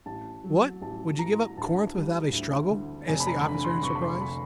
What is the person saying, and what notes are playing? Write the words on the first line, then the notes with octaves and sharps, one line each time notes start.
"What! would you give up Corinth without a struggle?" asked the officer, in surprise.
A1 A5
F#3
A1 A5
A2 A#5
D2 A5
G3
D2
D3
F1 G#5
B5
A#5
D3 B5
C6
F1 C#6
B5
C6
B5